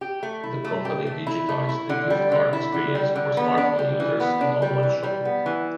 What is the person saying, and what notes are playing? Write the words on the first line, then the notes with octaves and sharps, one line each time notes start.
The company digitized the gift card experience for smartphone users and online shopping.
G4
A3
E4
A3
G4
A3
E4
A3
E4
D3
G3
D3
E4
D3
G3
D3
B3
D4
G3
E3
B3
D4
G3
E3
G3
B3
E3